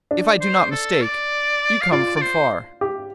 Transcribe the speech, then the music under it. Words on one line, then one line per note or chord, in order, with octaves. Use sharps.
'If I do not mistake, you come from far.
D4
C5
A4
D5
F5
F4 D5
D5
C5
G4